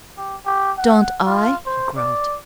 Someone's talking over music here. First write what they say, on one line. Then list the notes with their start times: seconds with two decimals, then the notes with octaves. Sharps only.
"Don't I?" he growled.
0.17 G4
0.46 G4
0.78 F#5
1.26 F4
1.66 C5
1.97 D5